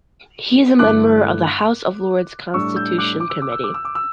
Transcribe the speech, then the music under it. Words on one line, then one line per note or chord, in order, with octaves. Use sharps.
He is a member of the House of Lords Constitution Committee.
G2 D3 A3 E4 D6 F#6
A2 G3 D4 C#6 E6
E6 G6
D6 F#6
D6
E6
D6
E6
D6
E6
D6
E6